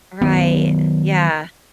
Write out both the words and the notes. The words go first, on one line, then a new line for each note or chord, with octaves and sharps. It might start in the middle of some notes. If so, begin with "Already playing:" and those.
Right. Yeah.
D#3 F#3 B3